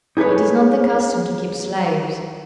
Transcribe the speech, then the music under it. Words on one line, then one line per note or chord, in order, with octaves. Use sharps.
It is not the custom to keep slaves.
D#4 G#4 A4 B4 C#5